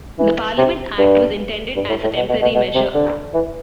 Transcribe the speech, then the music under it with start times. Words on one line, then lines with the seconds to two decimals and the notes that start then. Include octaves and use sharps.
The Parliament Act was intended as a temporary measure.
0.19 E3
0.58 C3
0.98 G2
1.76 G2
1.89 A2
2.03 A2
2.16 B2
2.29 B2
2.41 B2
2.55 B2
2.75 C3
2.94 D3
3.34 E3